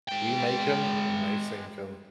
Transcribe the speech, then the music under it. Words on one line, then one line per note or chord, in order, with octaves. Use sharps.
"We make'em and they sink'em".
G#3 G5